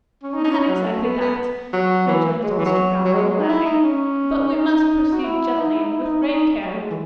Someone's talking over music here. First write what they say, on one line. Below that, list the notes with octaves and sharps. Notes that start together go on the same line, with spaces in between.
'Not exactly that,' rejoined Mr. Brownlow, laughing; 'but we must proceed gently and with great care.'
C#4
D#4
D#4
C#4
F#3
A3
B3
B3
F#3
E3
G#3
F#3
E3
F#3
F#3
G#3
F#3
G#3
D#4
E4
D#4
C#4
C#4
D#4
F#4
E4
D#4
E4
D#4
E4
D#4
C#4
D#4
F#3
A3
G#3
E3